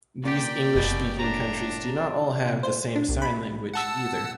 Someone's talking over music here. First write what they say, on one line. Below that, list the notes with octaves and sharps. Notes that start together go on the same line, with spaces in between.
These English-speaking countries do not all have the same sign language either.
A#2 G4 D5 G5
F#1 B2
A2 D4 A#5
C3
C5
D4
C2
B5
F#5 A5 E6